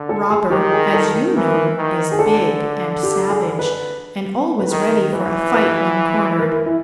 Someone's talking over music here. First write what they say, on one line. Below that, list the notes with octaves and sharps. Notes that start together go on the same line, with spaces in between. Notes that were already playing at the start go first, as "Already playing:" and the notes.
Robber, as you know, is big and savage and always ready for a fight when cornered.
Already playing: D3
A4
G#4
D#3 G4
G#4
A4
A#4
E3 A#4
D#3
G#4
D3 A4
G4
G#4
B4
B4
D#3 A#4
E3 B4
B4
A#4
E4